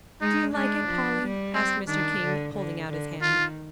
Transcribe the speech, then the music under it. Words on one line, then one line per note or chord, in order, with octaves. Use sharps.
"Do you like it, Polly?" asked Mr. King, holding out his hand.
G#3 D#4
G#3 D4
F3
G3
C4
D#3 D4
D3
D3
D3
D#3 F4